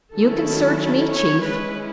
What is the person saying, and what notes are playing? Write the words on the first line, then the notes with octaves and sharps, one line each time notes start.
You can search me, Chief.
D#3 F#3 C#4 E4 A4
A4
C#5
G#3 C#4 E4 B4